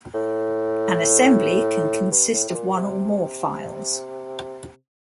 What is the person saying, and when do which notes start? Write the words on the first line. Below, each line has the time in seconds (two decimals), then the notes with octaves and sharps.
An assembly can consist of one or more files.
0.14 A2
2.11 G2
2.33 A2
2.49 C3
2.54 A#2
2.77 C3